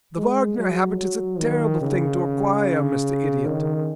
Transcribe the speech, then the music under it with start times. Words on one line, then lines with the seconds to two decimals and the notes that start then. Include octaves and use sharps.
"The Wagner habit is a terrible thing to acquire, Mr. Idiot."
0.18 G#3
0.58 F#3
0.99 F#3
1.40 D#3
1.82 C#3
3.45 D#3